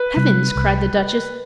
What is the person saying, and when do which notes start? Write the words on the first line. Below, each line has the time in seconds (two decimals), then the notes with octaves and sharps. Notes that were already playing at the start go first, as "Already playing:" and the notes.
"Heavens!" cried the Duchess.
Already playing: B4
0.16 C3 G3 C4
0.56 C2